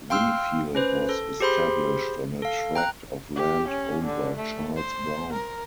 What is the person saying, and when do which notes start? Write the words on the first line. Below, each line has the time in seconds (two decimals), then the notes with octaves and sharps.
Winfield was established on a tract of land owned by Charles Brown.
0.10 F5 G5 C6 E6 F6
0.75 C#4 B4 C5
1.09 A4
1.40 G4 G#4 C5 B5 C6
2.42 A4 F5
2.75 G5 A#5 F#6
3.36 G4
3.68 C#4
4.05 D3
4.37 A3
4.76 C5
5.33 A#4